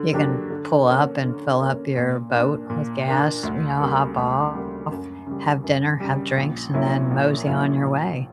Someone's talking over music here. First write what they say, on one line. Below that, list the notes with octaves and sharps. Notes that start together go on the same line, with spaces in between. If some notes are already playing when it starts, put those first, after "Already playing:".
you can pull up and fill up your boat with gas, you know, hop off, have dinner, have drinks, and then mosey on your way.
Already playing: D3
F#3 A#3 D4 G4
D3
A#3 C#4
D3
A#3 C#4
A#2
A#3 D4
A#2
A#3 D4
D2
C#3 G3 A#3
D2
C#3 G3 A#3
F#2
C#3 G3
F#2
C#3 G3
A#1
A#2 F#3 C#4 E4
A#1
A#2 F#3 C#4 E4
A#1